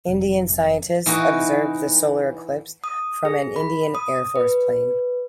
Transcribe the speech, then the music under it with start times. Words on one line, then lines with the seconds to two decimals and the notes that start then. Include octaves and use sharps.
Indian scientists observed the solar eclipse from an Indian Air Force plane.
0.08 F1
1.06 E3 D#4 F#4
2.84 D#6
3.25 G#4
3.56 B5
3.95 D#6
4.36 B4